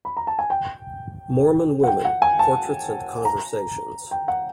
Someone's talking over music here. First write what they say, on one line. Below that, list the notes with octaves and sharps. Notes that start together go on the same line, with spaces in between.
Mormon Women: Portraits and Conversations.
B5
A#5
A5
G#5
G5
F#5
G5
F#5
G#5
A5
A#5
G5
F#5